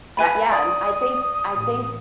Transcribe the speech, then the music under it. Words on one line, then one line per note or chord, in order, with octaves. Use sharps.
that, yeah, and I think I think,
B4 G#5 B5
D5 D#6
A1